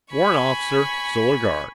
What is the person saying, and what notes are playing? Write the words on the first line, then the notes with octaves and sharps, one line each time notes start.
Warrant Officer--Solar Guard.
G#5 B5 C#6